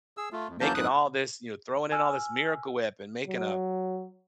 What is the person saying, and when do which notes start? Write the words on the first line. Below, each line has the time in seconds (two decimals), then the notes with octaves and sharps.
making all this you know, throwing in all this Miracle Whip, and making a
0.17 G#4 E6
0.33 A3 F4
0.49 F2
0.61 E3 F#3 A#3 C#4 A5 G6
0.74 F2 G#2 D#6 F#6
1.92 G#5 E6 F6
3.28 F#3